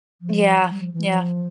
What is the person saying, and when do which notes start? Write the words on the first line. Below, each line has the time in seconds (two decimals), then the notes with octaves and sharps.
Yeah, yeah.
0.22 F3
0.70 G3
0.82 F3
0.94 E3
1.05 F3